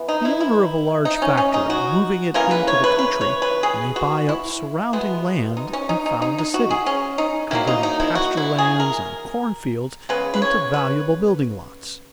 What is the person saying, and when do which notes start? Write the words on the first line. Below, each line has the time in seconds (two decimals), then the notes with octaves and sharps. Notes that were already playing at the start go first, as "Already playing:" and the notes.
The owner of a large factory, moving it into the country, may buy up surrounding land and found a city, converting pasture lands and corn-fields into valuable building lots.
Already playing: E3 B3
0.08 D#4
0.25 E4
0.40 E4
1.05 D#4
1.22 C#4
1.37 C#4
1.54 D#4
1.70 F#4
2.34 C#3 E3 A#3 A#4
2.51 B4
2.68 C#5
2.84 B4
2.99 B4
3.21 C#5
3.42 B4
3.63 G#4
3.96 F#4
4.29 E4
4.93 B2 G#3 B3
5.57 D#4
5.73 C#4
5.89 D#4
6.06 D#4
6.22 D#4
6.38 D#4
6.54 F#4
6.71 G#4
6.86 C#4
7.18 D#4
7.51 D#3 F#3 A#3 E4
7.67 D#4
7.83 D#4
8.00 E4
8.15 F#4
8.37 E4
8.58 G#4
8.80 A#4
10.09 C#3 G#3 B3 B4
10.34 B4
10.42 C#5
10.74 B4